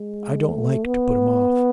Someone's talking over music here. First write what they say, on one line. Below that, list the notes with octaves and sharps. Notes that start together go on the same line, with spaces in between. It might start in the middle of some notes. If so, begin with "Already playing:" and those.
I don't like to put him off.'
Already playing: G#3
A3
B3